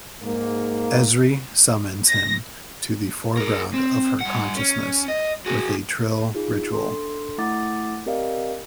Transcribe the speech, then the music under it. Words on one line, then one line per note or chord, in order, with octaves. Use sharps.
Ezri summons him to the foreground of her consciousness with a Trill ritual.
G#2 A#3
A#6
G#4 A#4
C4
G2 F#5
C#4
D#5
F#4 G#4
D#4 F4 G#4
D4 A4 C6
A3 E4 F#5 D6 A6
C4 G4 A#4 D5 D#5 F5